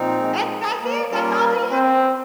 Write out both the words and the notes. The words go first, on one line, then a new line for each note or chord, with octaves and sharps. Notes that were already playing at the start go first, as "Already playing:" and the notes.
that's that's it! That's all he
Already playing: A#2 F3 C4 D#4
G#3
A#3
G3 A#3 C#4 F4 A#4
C4